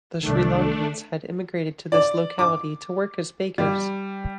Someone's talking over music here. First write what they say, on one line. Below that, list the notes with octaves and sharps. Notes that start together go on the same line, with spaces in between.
The Sri Lankans had immigrated to this locality to work as bakers.
C2 D#3 A3 D4
D5
D6
G3